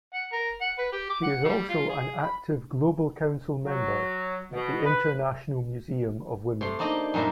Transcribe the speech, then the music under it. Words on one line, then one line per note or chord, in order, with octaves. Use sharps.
She is also an active Global Council Member at the International Museum of Women.
F#5
A#4
F#5
B4
G4
D6
F#5
G3
F4
G#4
B5
F#3
B2
B4
C3 A3 C6
A#3 D4 D#4 G4 D#5
F#2 A#2 G3 A#3 A#4 E5